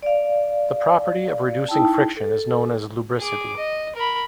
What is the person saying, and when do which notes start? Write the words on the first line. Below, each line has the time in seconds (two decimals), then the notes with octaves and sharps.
The property of reducing friction is known as lubricity.
0.02 D5 F5
1.69 D#4 E4 G5 A5
2.17 A4
3.18 G#4 D6
3.57 D#5
3.95 A#4 B5